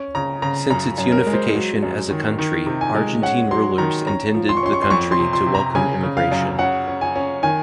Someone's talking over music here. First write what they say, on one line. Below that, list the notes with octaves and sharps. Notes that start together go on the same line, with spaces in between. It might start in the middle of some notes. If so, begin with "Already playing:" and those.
Since its unification as a country, Argentine rulers intended the country to welcome immigration.
Already playing: C#4
C#3 A#5
C#3 A#5
F#2 A#5
F#2
A#4
G#3
C5
F#3
F#2
D#3
D#3
C3
G#5
G#3
C#4 F#5
F#3 C6
D#3 A#5
C#4 A#5
F3
C6
C#6
C#4 C6
C#6
C6
F2 C#6
C6
C3
C6
C3
A#5
C#3 G#5
C#3
F5
F#2
C#4 F#5
C#4
G#5
C#4
D#3 G#5